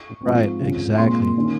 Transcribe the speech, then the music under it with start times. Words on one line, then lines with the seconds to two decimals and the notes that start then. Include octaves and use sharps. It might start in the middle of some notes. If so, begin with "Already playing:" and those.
Right, exactly.
Already playing: C#6
0.23 G#2 F3 C4
0.60 C#3 F3 G#3 C4
0.98 A#2 G#3 C4 C6
1.37 D#3 A#3 C#4